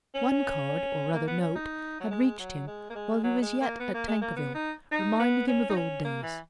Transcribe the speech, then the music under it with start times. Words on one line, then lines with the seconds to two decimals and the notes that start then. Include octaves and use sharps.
One card, or rather note, had reached him while he was yet at Tankerville, reminding him of old days.
0.15 C#4
1.14 A#3
1.27 B3
1.41 C#4
1.55 D#4
2.00 F#3
2.11 G#3
2.39 F#3
2.67 G#3
2.90 A#3
2.95 G#3
3.24 F#3
3.42 G#3
3.61 A#3
3.80 B3
3.94 A#3
4.08 G#3
4.21 A#3
4.36 B3
4.55 D#4
4.92 D#4
5.19 B3
5.48 C#4
5.69 D#4
5.76 C#4
6.04 A#3
6.23 E3